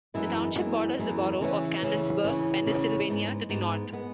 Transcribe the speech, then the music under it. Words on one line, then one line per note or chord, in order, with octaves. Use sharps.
The township borders the borough of Canonsburg, Pennsylvania to the north.
F#2 E3 G#3 B3 E4
F#2 E3 G#3 B3 E4
F#2 E3 G#3 B3 E4
C#3 E3 C#4
C#3 E3 C#4
C#3 E3 C#4
C#3 E3 C#4
G#2 G#3 B3
G#2 G#3 B3
G#3 B3